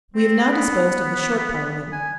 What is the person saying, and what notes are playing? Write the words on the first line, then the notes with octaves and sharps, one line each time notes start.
We have now disposed of the Short Parliament.
C4
B3
G#5